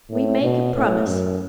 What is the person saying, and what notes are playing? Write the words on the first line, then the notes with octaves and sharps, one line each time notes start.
We make a promise.
A2
B2
A2
F#2